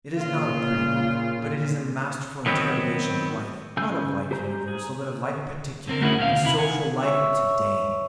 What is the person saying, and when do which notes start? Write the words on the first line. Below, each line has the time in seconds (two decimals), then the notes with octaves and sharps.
It is not a pretty book, but it is a masterful interrogation of life--not of life universal, but of life particular, the social life of to-day.
0.17 A#2 C#3 F4
2.46 D#3 F#3 B3 C4
3.77 C#3 G#5 E6 G6
4.31 G4 C5 A#5 G6
4.68 G#4
5.88 D3 C4 A#4
6.01 A3 C#4 E4 F#4 G#4 A#4
6.18 D#2 B2 D3 G#4 C5 F5
6.42 D#2 C3 E4 B5
6.59 F#5 G#5
7.03 C#5 E5